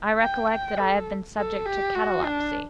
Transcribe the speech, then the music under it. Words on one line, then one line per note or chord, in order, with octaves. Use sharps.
I recollect that I have been subject to catalepsy.
G5
G5
A4
A4
G4
F#4
D4